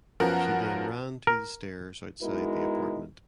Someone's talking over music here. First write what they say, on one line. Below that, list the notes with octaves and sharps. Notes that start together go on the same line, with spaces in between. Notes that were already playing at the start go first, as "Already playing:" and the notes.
She then ran to the stairs outside the apartment.
F#2 F3 B3 F#4 A#4 F#5
A#4
G#3 B3 D#4 E4 F#4 A#4